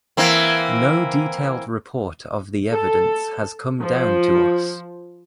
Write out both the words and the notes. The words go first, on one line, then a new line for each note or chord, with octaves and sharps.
No detailed report of the evidence has come down to us.
E3 A#3 C4
A4
F3